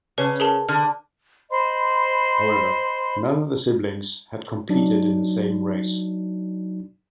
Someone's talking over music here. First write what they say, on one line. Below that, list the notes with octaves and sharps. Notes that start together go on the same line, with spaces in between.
However, none of the siblings had competed in the same race.
C#3 C#4 B4
G#4 A#4 A5
D3 F6
C5 D#5 B5 C6
F#3 D4 D#4